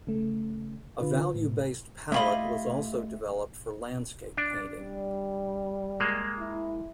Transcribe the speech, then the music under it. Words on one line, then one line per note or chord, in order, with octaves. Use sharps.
A value based palette was also developed for landscape painting.
C#3 A3
D3 F4 B4
A2
A3 E4 F4 G4 D#5 B5
D4
G3
G#3 A#3
E4